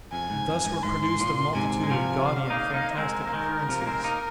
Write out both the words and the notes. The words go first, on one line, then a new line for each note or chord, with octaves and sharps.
And thus were produced a multitude of gaudy and fantastic appearances.
F2 G#5
G#2
F2
G#2
G#2 C6
A#2
G#2 C3 G#5
G#3
C3 F3
F5
A#3 D#4
A#3 D#4
G#3 C4 A#4
A#3
D#3 G#3
C3 F3
A#3
G#3 C4
A#3 D#4